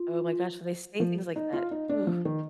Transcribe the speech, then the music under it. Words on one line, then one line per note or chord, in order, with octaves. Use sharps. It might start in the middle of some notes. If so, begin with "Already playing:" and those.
Oh my gosh, when they say things like that, ooh.
Already playing: F4
F3
D#4
F4
D#4
D4
F3
D#3